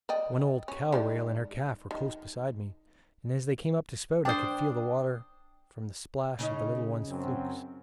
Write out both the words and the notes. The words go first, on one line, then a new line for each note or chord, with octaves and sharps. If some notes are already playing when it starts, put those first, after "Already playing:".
One old cow whale and her calf were close beside me, and as they came up to spout I could feel the water from the splash of the little one's flukes.
D5 D#5 G5
C#4
D#3 G#3 D5
D#3
D4 C5 G5 D#6
C#3 C#4 D#4
F#2 C4